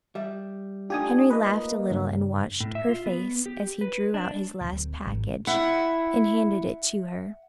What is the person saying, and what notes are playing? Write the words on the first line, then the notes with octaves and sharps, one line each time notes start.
Henry laughed a little, and watched her face as he drew out his last package and handed it to her.
G3 E5
A3 D4 D#4 F4 G4 G#5 D#6
A#3 B4 D#5
G2 C#3
A2
E5
F4
B3
G4
B4
D4
D1
G#1
E4 E5 F#5